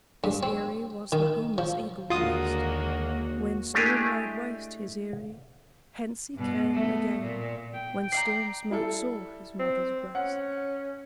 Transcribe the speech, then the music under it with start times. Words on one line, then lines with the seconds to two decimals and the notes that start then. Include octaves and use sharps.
This eyrie was the homeless eagle's nest When storm laid waste his eyrie: hence he came Again, when storm smote sore his mother's breast.
0.24 G2
0.43 C4
1.12 D#3
1.58 F3
2.10 D#2 D3 G#3 A#3 F4 F#4 D#6
3.74 G#3 A3 D4 E4 G4 G#4
6.34 G2 B2
6.73 A3 B3
7.21 A#2
7.73 G5
8.12 D5 E5 A#5 C7
8.71 G3 E4 A4
9.59 C4
10.15 C#4 F#5